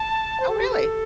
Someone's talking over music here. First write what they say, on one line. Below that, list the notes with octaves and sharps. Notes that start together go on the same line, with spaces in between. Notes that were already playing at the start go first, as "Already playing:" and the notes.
Oh, really?
Already playing: A5
C5
A4
G4
A4